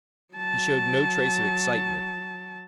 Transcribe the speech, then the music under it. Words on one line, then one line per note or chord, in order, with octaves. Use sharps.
He showed no trace of excitement.
F#3 A5